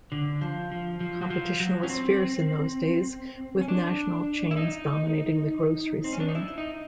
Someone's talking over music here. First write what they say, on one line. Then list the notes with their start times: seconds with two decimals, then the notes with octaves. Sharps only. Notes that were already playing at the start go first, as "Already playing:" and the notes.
Competition was fierce in those days with national chains dominating the grocery scene.
0.12 D3
0.41 F3
0.72 F3
1.00 F3
1.21 F#3
1.30 F3
1.60 F#3
1.83 C#4
1.89 C4
3.61 C#4
3.68 D4
4.51 E4
4.57 D#4
6.04 C4
6.13 C#4
6.20 D4
6.28 D#4
6.35 E4
6.58 D#4